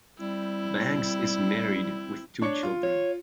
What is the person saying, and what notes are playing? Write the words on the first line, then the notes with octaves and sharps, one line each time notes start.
Banks is married with two children.
G3 C4 E4
D4 C#5 C#7
F4
C#5